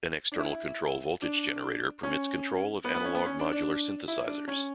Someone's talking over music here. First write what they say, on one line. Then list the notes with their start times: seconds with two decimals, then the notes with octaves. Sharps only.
An external control voltage generator permits control of analog modular synthesizers.
0.32 D4
0.39 E4
1.22 D4
2.03 C#4
2.85 B3
2.95 B3
3.05 C#4
3.15 B3
3.26 C#4
3.39 D4
3.53 D4
4.08 E4
4.27 D4
4.48 C#4